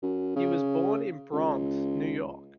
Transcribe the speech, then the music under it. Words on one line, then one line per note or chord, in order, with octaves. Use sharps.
He was born in Bronx, New York.
F#2
C#3
C#2